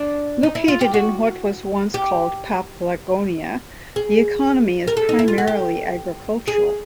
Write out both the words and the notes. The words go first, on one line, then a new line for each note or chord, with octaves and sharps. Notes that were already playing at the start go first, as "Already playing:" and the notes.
Located in what was once called Paphlagonia, The economy is primarily agricultural.
Already playing: D4
D#4
E4
F4
G4
F#4
G4
G#4
A#4
A4
D#4
E4
F4
F#4
G4
G#4